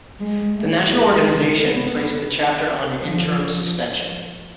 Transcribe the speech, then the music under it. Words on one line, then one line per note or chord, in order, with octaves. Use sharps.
The national organization placed the chapter on an interim suspension.
G#3
A3
G#3
B3
F3